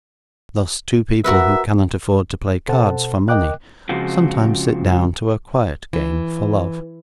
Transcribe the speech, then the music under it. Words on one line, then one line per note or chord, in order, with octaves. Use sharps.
Thus two people who cannot afford to play cards for money, sometimes sit down to a quiet game for love.
F#4 A#4 B4 E5
B2 A4 C5 F#5 A5
A#4 D#5 G5 D6 F#6
C#3 F3 G#3 C4 F4 F#4
E3